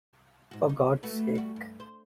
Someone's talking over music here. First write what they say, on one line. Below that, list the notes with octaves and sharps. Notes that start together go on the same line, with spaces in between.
For God's sake.
G#2 F#4
D#4
A3 F#4 B4
G3 F#4
G2
C5